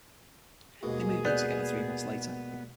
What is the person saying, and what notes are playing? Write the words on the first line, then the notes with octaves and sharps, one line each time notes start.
They moved in together three months later.
D#2 G#2 B2 G#4
B3 D5 F#6 G6